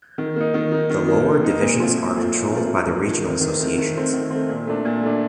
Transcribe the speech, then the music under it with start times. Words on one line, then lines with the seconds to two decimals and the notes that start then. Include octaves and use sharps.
The lower divisions are controlled by the regional associations.
0.18 D#3
0.36 A#3 D#4
0.54 D#3
0.72 A#3 D#4
0.90 D#3
1.08 A#3 D#4
1.26 D#3
1.44 A#3 D#4
1.61 A#2
1.79 F3 A3 C4 F4
1.98 A#2
2.16 F3 A3 C4 F4
2.33 A#2
2.51 F3 A3 C4 F4
2.69 A#2
2.87 F3 A3 C4 F4
3.05 D#3
3.24 A3 C4
3.41 D#3
3.59 A3 C4
3.78 D#3
3.95 A3 C4
4.13 D#3
4.31 A3 C4
4.49 A#2
4.67 A3 D4
4.85 A#2
5.03 A3 D4